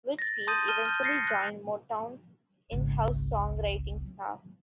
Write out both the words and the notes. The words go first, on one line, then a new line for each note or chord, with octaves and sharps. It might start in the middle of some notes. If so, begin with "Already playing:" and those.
Whitfield eventually joined Motown's in-house songwriting staff.
A6 A#6
A5 C6 D#6 G6 A6 D#7
A5 F6 D#7 G7
F6 G6
A6 A#6 C7 C#7
F#6 A#6
G#1 C#2